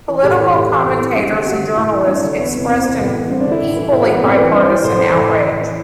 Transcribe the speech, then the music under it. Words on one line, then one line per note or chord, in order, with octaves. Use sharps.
Political commentators and journalists expressed an equally bipartisan outrage.
E3
A2 G4
E3
A2
E3
A2
E3
G2 G4
D3
G2 F#4
D3
A2 E4
E3
G2 D4
D3
E2 B3
C3 E3
E2 C4
C3 E3
A2 B3
E3
G2 C4
D4
D3
E4
A2
E3
A2 E4
F#4
E3
B3
A2 C4
E3 B4
G2 C5
E3
A2 C5
E3
A2
E3
A2
E3